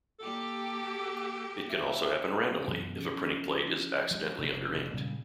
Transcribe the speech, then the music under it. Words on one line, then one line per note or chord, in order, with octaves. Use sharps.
It can also happen randomly, if a printing plate is accidentally under-inked.
A#3 G4 A4
E5
F#2 B2 E3
F3 C#4
F3 G#3
F1
A#2 C#3 G3 G#3